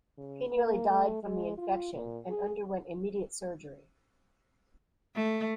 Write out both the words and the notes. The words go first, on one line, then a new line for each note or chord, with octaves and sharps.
He nearly died from the infection, and underwent immediate surgery.
C#3
A#3
A3
G#3
F4
A#2
G#4
A3